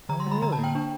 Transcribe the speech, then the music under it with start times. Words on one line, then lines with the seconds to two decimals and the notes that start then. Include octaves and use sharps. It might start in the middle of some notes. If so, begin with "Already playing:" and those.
Oh, really?
0.09 D3 A#5
0.20 C6
0.27 G3 B5
0.42 D3 A#5
0.52 A5
0.59 A#3 G5
0.75 D4